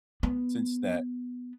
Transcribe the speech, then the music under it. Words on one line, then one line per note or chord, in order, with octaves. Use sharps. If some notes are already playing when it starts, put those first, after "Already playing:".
since that
B3